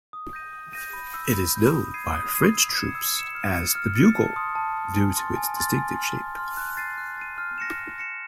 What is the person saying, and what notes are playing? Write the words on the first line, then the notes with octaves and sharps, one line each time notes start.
It is known by French troops as "The Bugle" due to its distinctive shape.
D#6
G6 A#6 D#7
D#6
G6 A#6 D#7
B5
E6 G6
B5
E6 G6
D#6
G#6 C7 D#7
D#6
G#6 C7 D#7
E6
G#6 C#7 E7
E6
G#6 C#7 E7
F6
A6 C#7
F6
A6 C#7
A5
C6 D#6
A5
C6 D#6
G#5
C6 F6 A6
G#5
C6 F6 A6
G#5
C6 F6
G#5
C6 F6
F#6
A6 C7 D#7
F#6
A6 C7 D#7
F6
A#6 C#7 E7
F6
A#6 C#7 E7